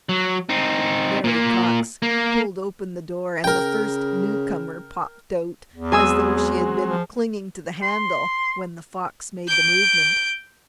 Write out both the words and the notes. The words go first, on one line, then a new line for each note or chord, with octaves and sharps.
Mary Cox pulled open the door and the first newcomer popped out as though she had been clinging to the handle when The Fox made the movement.
F#3
C4 D#4
A#2 A#3
A#3
C#3 A#4 G5
E2
F#3 G#3 C4 G#4 G#5 E6
F3
C6
G6 D7